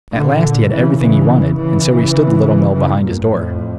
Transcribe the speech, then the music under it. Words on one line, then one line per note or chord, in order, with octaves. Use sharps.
At last he had everything he wanted, and so he stood the Little Mill behind his door.
A#2 D3
C#3 E3
C#3 E3
C#3 E3
C#3 E3
G2 A#2
F2 A2